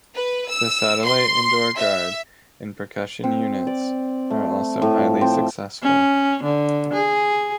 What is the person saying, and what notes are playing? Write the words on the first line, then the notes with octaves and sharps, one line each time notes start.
The satellite indoor guard and percussion units are also highly successful.
B4
E6
C6
E5
C4
D5
A3
A2
F3
C4
C#4
D3
G#4